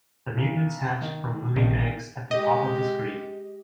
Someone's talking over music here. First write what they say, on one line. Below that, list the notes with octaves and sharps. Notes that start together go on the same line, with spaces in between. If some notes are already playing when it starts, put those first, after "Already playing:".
The mutants hatch from moving eggs at the top of the screen.
B1
D#3
A#1 G2 B2 D#3
G#3 G4 D#5